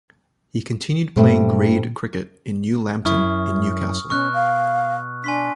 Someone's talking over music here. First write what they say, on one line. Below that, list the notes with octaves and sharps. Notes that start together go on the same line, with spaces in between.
He continued playing grade cricket with New Lambton in Newcastle.
G2 A#2 A3 C4
F#2 E4 C#6 D#6 F6
B2 C#4 C#6 F6 F#6
F5
D4 G#5 C6 B6